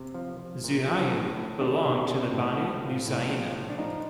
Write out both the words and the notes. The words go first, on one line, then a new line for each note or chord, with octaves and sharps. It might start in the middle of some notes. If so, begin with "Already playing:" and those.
Zuhayr belonged to the Banu Muzaina.
Already playing: C3
F3
F3
A#2
F3
A2
A2
D#3 D4
C3
C3
A2
F3
F3
A2
F3
A2
D4
F3 D#4